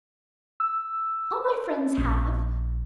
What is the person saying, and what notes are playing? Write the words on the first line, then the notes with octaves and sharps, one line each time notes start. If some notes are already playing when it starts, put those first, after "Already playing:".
All my friends have.
E6
A#1